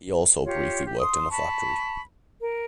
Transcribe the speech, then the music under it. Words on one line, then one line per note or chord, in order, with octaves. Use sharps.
He also briefly worked in a factory.
F4 G4 C#5
G4
C6 D#6
A5 B5 C#6
A#4